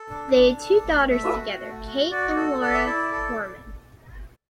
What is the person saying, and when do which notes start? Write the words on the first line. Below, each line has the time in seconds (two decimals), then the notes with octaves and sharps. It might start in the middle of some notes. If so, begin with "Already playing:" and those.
They had two daughters together, Kate and Laura Korman.
Already playing: A4
0.10 D4
0.35 D4
0.60 A4
0.86 A3
1.10 A3 E5
1.35 F#4
1.61 A3
1.85 F#4
2.11 F#4 D5
2.36 A4
2.61 A4 D5
2.73 E5
2.86 E4 D5
3.11 A4